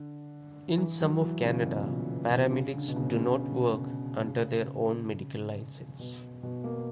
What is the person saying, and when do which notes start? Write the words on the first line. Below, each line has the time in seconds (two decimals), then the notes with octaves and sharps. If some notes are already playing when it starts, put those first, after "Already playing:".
In some of Canada, paramedics do not work under their own medical license.
Already playing: D3
0.78 E3
1.00 F#3
1.21 E3
1.43 C#3
1.65 B2
1.86 A#2
2.09 B2
2.30 B2
2.43 D3
2.53 C#3
2.74 D3
2.88 B2
2.96 C#3
3.16 C#3
4.25 C#3
5.99 B2
6.43 B2
6.64 A#3